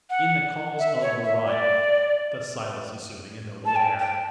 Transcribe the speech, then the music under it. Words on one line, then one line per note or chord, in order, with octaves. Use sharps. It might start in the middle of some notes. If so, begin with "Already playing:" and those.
In the cause of the right.' Thus Silas assuming a noble air.
F#5
E5
C#5
E5
D5
A5
G5
G5